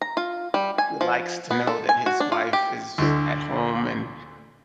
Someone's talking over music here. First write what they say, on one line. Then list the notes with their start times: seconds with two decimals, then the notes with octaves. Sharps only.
He likes to know that his wife is at home and,
0.01 A#5
0.17 F4
0.54 G3
0.78 G#5
1.01 F3
1.51 B3
1.67 A4
1.89 G#5
2.06 F#4
2.20 D4
2.32 F4
2.53 G4
2.98 D2 D3